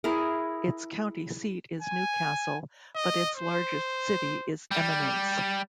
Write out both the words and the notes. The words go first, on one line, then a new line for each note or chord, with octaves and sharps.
Its county seat is New Castle, but its largest city is Eminence.
E4 G#4 A#4
G#5
D#5
C5
G3